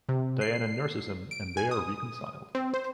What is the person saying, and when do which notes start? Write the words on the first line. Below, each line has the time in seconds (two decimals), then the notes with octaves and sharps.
Diana nurses him and they are reconciled.
0.09 C3
0.41 C7
1.31 D7
1.57 G#5
1.71 D#6
2.55 C4
2.74 C5